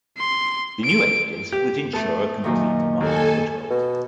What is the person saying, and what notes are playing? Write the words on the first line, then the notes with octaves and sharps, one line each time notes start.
The new entities would ensure a complete market foothold.
C6
D7
G4
A3 B3 A4
F#2 A#2 D#3
D#2 A4 G#5
B2